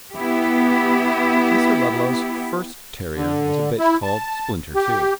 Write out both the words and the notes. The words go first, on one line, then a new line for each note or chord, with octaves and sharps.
Mr. Ludlow's first terrier was a bitch called Splinter II.
B3 E4 G4
D3
E4
A5
G4